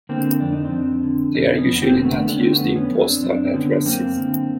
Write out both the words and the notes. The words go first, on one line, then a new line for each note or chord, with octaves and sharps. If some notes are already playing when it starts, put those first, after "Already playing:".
They are usually not used in postal addresses.
D3 A#3 C4
F2 D4
D#4
C4 D4
F2
D3
F2 C#4 D#4
B3 C#4
F2
B3
A#3 C4
D3 C4
A3 B3
D3 D4
C#4
C4
A3 B3
F2
B3 C#4
F2
C4 D4
F#2 C4 D4
C4
D3 B3 C#4
F#2 A#3 C4
D3